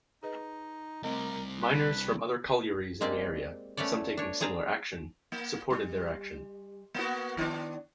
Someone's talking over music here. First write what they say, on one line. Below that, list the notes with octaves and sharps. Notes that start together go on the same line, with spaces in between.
Miners from other collieries in the area, some taking similar action, supported their action.
D#4 G#4 B4 D#5
C2 C3 A3 C4 A#4 D#5
D4 B4
G#3 A#3 C4 G4 D5
A3 B3 C#4 C#5 D5
D4 C#5
C4 G#4 A5 A#5
A#3
G3
A#3 B3 F#4
D#3 B3 D4